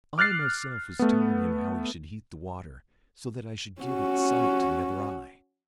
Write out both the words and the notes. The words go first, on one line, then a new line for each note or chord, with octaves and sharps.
I myself was telling him how he should heat the water, so that I should give its sight to the other eye.
D6 F6 F#6 A6 C7
A3 B3
C#4 F#4